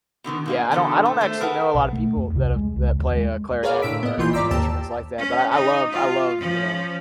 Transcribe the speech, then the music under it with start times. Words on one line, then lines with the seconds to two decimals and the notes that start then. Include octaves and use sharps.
Yeah, I don't I don't actually know a lot of people that have that play, uh, clarinet or instruments like that, but I I love I love, you know,
0.24 B2 D3 D#3 B3
0.46 G#2 A#3 D#5
0.71 E2 B2 D3 A4
1.05 A3
1.21 A3 C5
1.40 G#4 A#4 B4 D5 F#5 A5
1.75 B1
1.93 A3
2.16 E2
2.35 C2
2.56 G#3
2.76 C#2
2.99 D#2
3.15 G#3
3.63 G#4 A#4 B4 C#5 D5 F5
3.82 A2 D3 E6 B6 D7
4.03 B3 D#5
4.18 A#1 A#2 E3 F4 C6 G6
4.33 G#2 D5 A#5 D6 E6 B6
4.51 D#2 G4 A5 E6
5.18 C#4
5.52 D#4
5.92 F4
6.39 F3 C#4